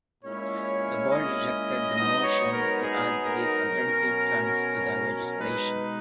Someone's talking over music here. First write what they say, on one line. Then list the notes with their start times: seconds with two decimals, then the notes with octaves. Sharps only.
The Board rejected the motion to add these alternative plans to the legislation.
0.24 A#2 G#3 C#4 E4 C#5
1.10 D#5
1.95 G#2 F#3 B3 D#4 D#5
2.24 C#5
2.52 A#4
2.80 G#4
3.24 A#4
3.66 B2 F#3 C#4
5.37 B2 G#3 D#4 B4